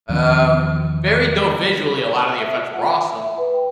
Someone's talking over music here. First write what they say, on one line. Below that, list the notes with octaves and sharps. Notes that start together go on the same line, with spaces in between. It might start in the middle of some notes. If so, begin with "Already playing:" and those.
Um, very dope visually, a lot of the effects were awesome,
E2 D#3 F3 C#4
C#5
E5
F4
F#5
E5
B4
G5